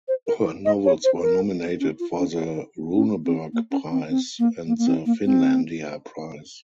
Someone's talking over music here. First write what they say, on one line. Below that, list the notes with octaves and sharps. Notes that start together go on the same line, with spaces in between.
Her novels were nominated for the Runeberg Prize and the Finlandia Prize.
C5
A#4
D#5
C#5
C5
A#4
C#4
F4
C#4
C#4
C4
A#3
C#4
C4
C4
A#3
A#3
A#3
C4
A#3
C4